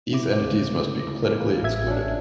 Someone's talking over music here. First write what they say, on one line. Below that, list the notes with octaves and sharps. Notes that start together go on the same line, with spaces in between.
These entities must be clinically excluded.
E4 D6
D2 C#3
E3 A#3
A1 E5 G#6
C#4 D4